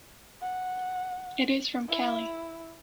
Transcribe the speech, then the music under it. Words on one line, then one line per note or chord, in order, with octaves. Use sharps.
It is from Cali.
F#5
E4